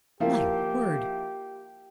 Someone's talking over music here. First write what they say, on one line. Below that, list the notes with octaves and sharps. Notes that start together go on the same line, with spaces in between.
My word!
F3 A#3 E4 G4